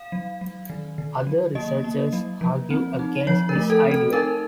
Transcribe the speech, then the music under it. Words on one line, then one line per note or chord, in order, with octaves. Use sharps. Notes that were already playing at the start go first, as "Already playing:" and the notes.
Other researchers argue against this idea.
Already playing: F5
F#3
F#3
D#3
D#3
F#3
A#3 D#5
A#3
F#3
F3
C4
D#4
F3 C#5
A#4
A3
A4
C4
A4
D#4 A#4